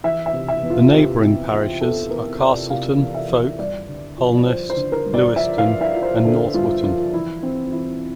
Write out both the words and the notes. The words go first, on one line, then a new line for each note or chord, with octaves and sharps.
The neighbouring parishes are Castleton, Folke, Holnest, Leweston, and North Wootton.
E3 E5
E5
C3
E5
E2
F4
C3 G4
C3
E2
E2 A4
E2 A#4
C3 D5
C3 F5
E3
E5
E3
G2 D5
D3
F3
F3 C5
C5
D3
A#4
G2
D5
F3 E5
F5
F3
E5
F3
C5
D3 A4
G2 F4
F3 F4
E3 E4
E3 C4
E3 E4